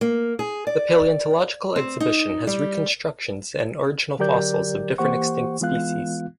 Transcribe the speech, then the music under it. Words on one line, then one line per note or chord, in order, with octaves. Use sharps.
The paleontological exhibition has reconstructions and original fossils of different extinct species.
A#3
G#4
D5
C4
D#4
G3
D3 F#3 G4 A#4 D5 G6
E3 A#3 G4 C5 F#5 C#6
E3 G#3 B3 F4 F5 F#6